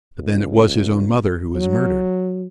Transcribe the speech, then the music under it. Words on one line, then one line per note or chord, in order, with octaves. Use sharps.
"But then it was his own mother who was murdered."
C#2
F#3